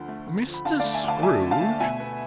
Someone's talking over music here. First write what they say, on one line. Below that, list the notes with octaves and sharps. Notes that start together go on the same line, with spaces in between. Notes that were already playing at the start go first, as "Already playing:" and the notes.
"Mr. Scrooge?"
Already playing: D2 D3 F3
A3
D2
F3
B5
D3 F5 A5
A3 D5 F5
E5 G#5
D2 F5 A5
F3 E5 G#5
D3
F5 A5
A3
B2 E5 G#5
B3